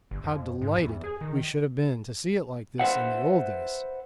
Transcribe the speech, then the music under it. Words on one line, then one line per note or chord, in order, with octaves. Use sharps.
How delighted we should have been to see it like this in the old days!
G1
F2
G#2
E2
G#4
D#3
B4 C5 E5 F#5